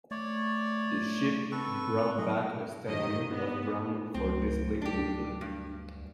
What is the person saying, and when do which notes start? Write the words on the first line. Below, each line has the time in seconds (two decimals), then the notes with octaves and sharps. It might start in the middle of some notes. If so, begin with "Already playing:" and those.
The ship brought back a statue of Brown for display in Dublin.
0.11 A3 C#5 D5
1.52 C4 A4 B4 C#6
2.18 F#3 G#4 D#5
2.89 G2 D#3 D#5
3.29 B3
4.14 C#2 F#3 A3 C4
4.82 D2 D4 G4
5.41 G2